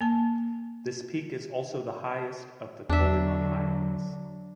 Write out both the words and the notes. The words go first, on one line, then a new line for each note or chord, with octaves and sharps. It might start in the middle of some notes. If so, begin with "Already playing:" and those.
This peak is also the highest of the Kolyma Highlands.
A#3 A5
E2 D3 F#3 D4 E5